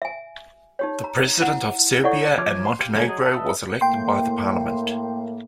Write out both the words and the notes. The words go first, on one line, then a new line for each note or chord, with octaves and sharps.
The president of Serbia and Montenegro was elected by the parliament.
E5 G#5
D#4 G4 C#5
A#5
E4 F#5
E4 A4 C#5 D5 F#5 C#6
F3 C#5 D6 F6
C6
G4 F5
D3 F#3 A3 C#5 G#5
F#3 G#4 D#5
B4 D#5 E5 A5
A2 A#3 G5 C6